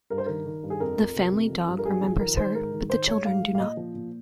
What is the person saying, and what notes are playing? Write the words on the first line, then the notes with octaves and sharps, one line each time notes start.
The family dog remembers her, but the children do not.
G2 A#4
C5
D#3 A#4
D#3
G2
G#4
F2 A#4
F2
C3
F2
F3
G2
A#4
G2 G#4
F3
D#3 A#4
D#3 C5
G#2 A#4
D#3
D#3 C5
G#2 C#5
G#2 F5
G#2
F5
A#2 D#5
F3
A#2